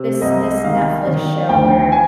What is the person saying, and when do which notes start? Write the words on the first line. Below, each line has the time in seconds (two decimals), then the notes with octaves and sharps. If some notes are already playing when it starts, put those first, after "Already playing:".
this this Netflix show where
Already playing: C3
0.21 C2 D#5
0.64 D#3 F5
1.07 D#3
1.49 D2 G5
1.92 G#5